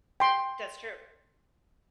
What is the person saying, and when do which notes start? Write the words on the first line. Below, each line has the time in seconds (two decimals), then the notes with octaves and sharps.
That's true.
0.20 G5 C6